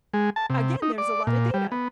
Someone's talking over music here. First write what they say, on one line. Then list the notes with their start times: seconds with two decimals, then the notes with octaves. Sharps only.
again, there's a lotta data.
0.14 G#3
0.36 A5
0.50 C3
0.82 D#4
0.98 D5
1.27 A#2
1.54 G3
1.72 B3